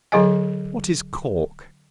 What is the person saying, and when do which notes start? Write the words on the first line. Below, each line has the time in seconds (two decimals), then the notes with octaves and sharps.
What is Cork?
0.12 D3 F#3 G#4 D#5 G#5